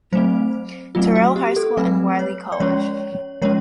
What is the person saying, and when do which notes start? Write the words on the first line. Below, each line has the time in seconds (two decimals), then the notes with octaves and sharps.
Terrell High School and Wiley College.
0.12 F#3 A3 C4 C5
0.95 F#3 A3 C4 F4
1.15 F#4
1.36 G4
1.56 A4
1.77 F#3 A3 C4 B4
2.19 C#5
2.52 D5
2.60 F3 G#3 C#4 C#5
3.42 F3 G#3 C#4 C#5